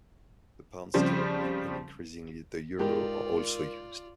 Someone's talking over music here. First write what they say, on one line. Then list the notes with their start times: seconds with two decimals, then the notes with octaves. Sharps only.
The pound sterling and increasingly the euro are also used.
0.94 C#3 F3 G3 C4 C5
2.79 G#2 F4 G4 A#4 D5